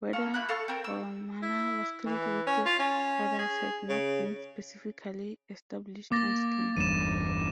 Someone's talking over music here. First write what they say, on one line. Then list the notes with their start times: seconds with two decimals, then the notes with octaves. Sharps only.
Whether Romana was killed with the others had not been specifically established on screen.
0.13 F4 A4 C#6
0.34 A3 A#3 B5 F#6
0.49 A4 F5 A5 C#6
0.68 C4 A4 A#4
0.84 E6
1.42 E4
2.05 E3
2.47 C#4
2.66 F4
2.79 C#4
3.39 G#4
3.89 C#3
6.12 A#3 D6 A6 A#6
6.77 G1 E2 G2 D#7 E7